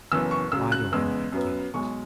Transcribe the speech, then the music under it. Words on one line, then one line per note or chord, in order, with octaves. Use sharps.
Why do I not give it?
F#1 F#2 E3 B3 E6
C#6
C#2 C#3 F#3 E6
F#6
E2 C#3 G#3 B3 E6
F#2 F#3 B3
B1 B2 G#3 C#6